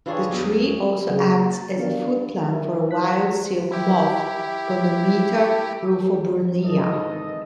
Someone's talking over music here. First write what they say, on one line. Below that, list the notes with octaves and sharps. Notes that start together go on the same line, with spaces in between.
The tree also acts as a foodplant for a wild silk moth, "Gonometa rufobrunnea".
E3 D4 F4 G4 G#4 C#5
E2 F#3 G#4
C#3 F#3 A#3 F#4 G#4
A6
B3 D4 G4 A#4 F5
A#4 E5
F#6 B6
E4 G4
C2 G#2 D#3 E3 A4 D#5